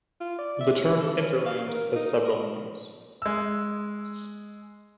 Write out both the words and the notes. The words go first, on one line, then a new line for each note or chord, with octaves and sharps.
The term "hinterland" has several meanings.
F4
D5
E5
C#4
A4
C#4
F5
A#4
D#4
A#4
G#3 E6